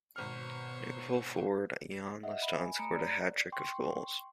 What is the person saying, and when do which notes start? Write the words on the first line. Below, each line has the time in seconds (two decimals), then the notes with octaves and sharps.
New full-forward Eoin Liston scored a hat-trick of goals.
0.16 G#1 B2 C5 C#5 F6
2.23 D#5 E5 F#5
2.43 B5
2.57 G#5
2.78 A3 A#5 B5 C#7 D7
2.96 D5
3.52 G5 C6 C#6